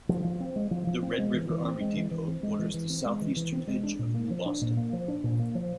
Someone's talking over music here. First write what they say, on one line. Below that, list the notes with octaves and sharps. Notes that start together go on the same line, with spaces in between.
The Red River Army Depot borders the southeastern edge of New Boston.
F3
F3
C4
G#3
F3
F3
C4
G#3
E3
E3
C4
G#3
E3
E3
C4
G#3
E3
E3
C4
G#3
E3
E3
C4
G#3
D4
A#2
A#3
F3
D4
A#2
A#3
F3
D4
A#2
A#3
F3